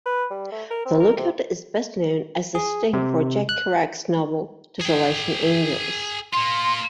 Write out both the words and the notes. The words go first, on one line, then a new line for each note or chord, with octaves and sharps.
The lookout is best known as the setting for Jack Kerouac's novel "Desolation Angels".
B4
G3
A3
A#4
C4
A#4
C3
G#4
C3
F#6
G#4 G5
A#3 F4 C6